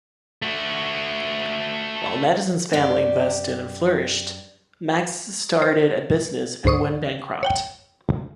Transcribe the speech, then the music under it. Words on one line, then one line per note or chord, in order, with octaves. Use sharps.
While Madison's family invested and flourished, Mac's started a business and went bankrupt.
A3 F#4
F#2 G4 D5
C5
D2 G#2 C5 C#6 D#6
C#5 F#5 G5